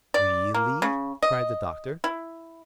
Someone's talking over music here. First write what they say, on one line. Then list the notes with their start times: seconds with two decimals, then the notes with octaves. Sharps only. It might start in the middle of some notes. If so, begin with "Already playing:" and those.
"Really?" cried the Doctor.
0.14 D5
0.54 A#3
0.82 C#3
1.23 D#5
2.04 E4